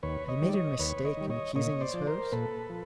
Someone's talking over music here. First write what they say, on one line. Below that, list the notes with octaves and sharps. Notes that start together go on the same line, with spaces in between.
Had he made a mistake in accusing his host?
D#2 B4 C#5
C#5 D#5
D#3 G3
D5
C#5 D#5
D#2 B4 C#5
C#5 D#5
D#3 G3
C#5 D#5
A#2 C#5 D#5
C5 D5
F3
A#4 C5
A#2 A4 B4
F3